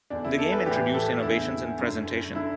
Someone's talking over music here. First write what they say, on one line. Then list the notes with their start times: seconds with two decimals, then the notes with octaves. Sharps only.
The game introduced innovations in presentation.
0.10 E2 D3 D4
0.25 E4
0.39 A4
0.52 B4
0.66 A2 E3 G4
0.94 A4
1.23 E2 D3 E4
1.79 F#2 D3
2.35 D3 E4